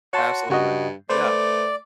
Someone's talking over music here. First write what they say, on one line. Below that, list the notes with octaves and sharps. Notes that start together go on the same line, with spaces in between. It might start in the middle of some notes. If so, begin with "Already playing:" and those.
Absolutely. Yeah.
F#4 C#5 A5 C6
G2 C#3 F#4 D#5
A3 B4 C5 D5